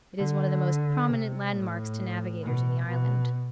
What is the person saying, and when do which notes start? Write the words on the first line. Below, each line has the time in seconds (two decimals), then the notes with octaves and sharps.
It is one of the most prominent landmarks to navigators in the island.
0.18 D3
1.09 C3
1.54 A2
2.43 B2
2.88 B2